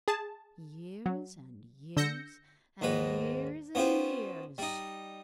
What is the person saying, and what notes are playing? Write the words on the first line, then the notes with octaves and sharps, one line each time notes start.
Years and years and years and years!
G#4 A5
F#3
D3 E6 G6 A#6 C#7
D#2 G#2 G#3 B4
B3 C#4 F4 G4 C5
G3 D#4